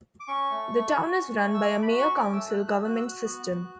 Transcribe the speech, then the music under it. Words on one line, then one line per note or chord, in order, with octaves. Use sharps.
The town is run by a Mayor-council government system.
D6
C#4 C#6
A3
A3
F#4
C#4
A3
E6
A3 D6
B5
F#4
C#6
C#4
D6
A3 E6
F#6
A3
E6
F#4
F#6
E6
F#4
F#6
B3
F#4